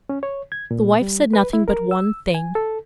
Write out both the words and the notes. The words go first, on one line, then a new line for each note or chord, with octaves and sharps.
The wife said nothing but one thing.
C#4
C#5
G#6
A#2
G3
B4
E4
A#4
E6
G#5
A4